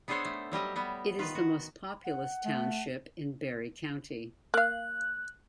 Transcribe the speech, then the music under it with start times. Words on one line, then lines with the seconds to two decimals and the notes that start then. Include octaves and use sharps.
It is the most populous township in Barry County.
0.08 B3 D4 G#4 A4 C5 C#5
0.25 A3
0.52 F#3 G3 G4 D#5
0.76 G3 B3
1.19 D#3 F4 B4
1.35 F#4
2.05 F#5
2.45 A3
4.54 A#3 F5 F#6